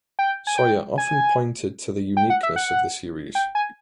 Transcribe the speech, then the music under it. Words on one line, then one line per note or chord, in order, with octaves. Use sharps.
Sawyer often pointed to the uniqueness of the series.
G5
G#5
G5
G#5
G5
F#5
E5
F#5
G5
G#5